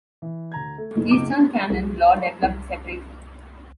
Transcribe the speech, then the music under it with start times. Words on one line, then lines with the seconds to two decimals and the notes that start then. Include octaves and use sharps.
Eastern canon law developed separately.
0.22 E3
0.52 D2 A#5 G#6
0.78 A3
0.95 F#1 B1
1.09 C#2 D6 D7
1.70 C2
2.43 C2